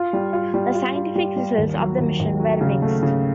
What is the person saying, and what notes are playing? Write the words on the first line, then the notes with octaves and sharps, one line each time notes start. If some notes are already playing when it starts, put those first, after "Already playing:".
The scientific results of the mission were mixed.
Already playing: F4
G3
F4
G3
F4
F4
G3
G3
D#2
F#3
D#2
D#2
F#3
C#3
A3
C#3